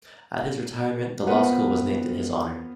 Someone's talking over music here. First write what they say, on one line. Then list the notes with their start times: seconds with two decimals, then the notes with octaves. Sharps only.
At his retirement, the Law School was named in his honor.
1.27 B3 C4 F4 A#4 B4 F#5